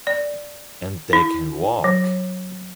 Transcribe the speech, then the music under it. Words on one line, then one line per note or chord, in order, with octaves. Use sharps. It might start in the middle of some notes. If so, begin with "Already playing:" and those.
And they can walk!
D5
E4
F#3